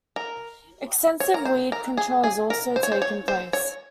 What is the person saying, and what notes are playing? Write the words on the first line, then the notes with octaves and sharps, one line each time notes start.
Extensive weed control has also taken place.
A#4
C#5
A#4
C5
A#4
G#4
G#4
A#4
C5
C#5
C5
C#5
C5
C#5